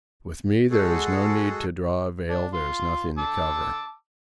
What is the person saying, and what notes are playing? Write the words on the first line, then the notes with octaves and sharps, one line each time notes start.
With me there is no need to draw a veil; there is nothing to cover.
G#3 F#4 G#4 A4
D4
F4 C6
A5 D6 E6